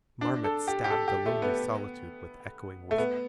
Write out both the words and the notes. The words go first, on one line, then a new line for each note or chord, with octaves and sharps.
Marmots stabbed the lonely solitude with echoing whistle.
D4
A4
G4
G4
A4
G4
A3
B3
A3
B3